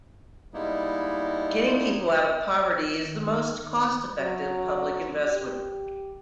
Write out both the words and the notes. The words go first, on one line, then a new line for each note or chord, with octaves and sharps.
Getting people out of poverty is the most cost-effective public investment.
G3 G#3 A#3 B3 D#4 E4
D#3
F#3
G4